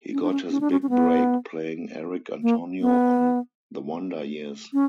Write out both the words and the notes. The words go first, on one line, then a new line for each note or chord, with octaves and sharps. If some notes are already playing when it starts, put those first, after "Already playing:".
He got his big break playing Eric Antonio on "The Wonder Years".
C#4
D4
C#4
C#4
D4
C#4
C#4
B3
A#3
B3
C#4